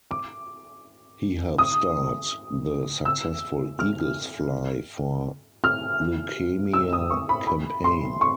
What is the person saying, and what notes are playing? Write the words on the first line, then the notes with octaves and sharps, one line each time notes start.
He helped start the successful Eagles Fly for Leukemia campaign.
D6
D#6
E6
F6
F6
E6
D#6
C#6
B5
B5
C6
C#6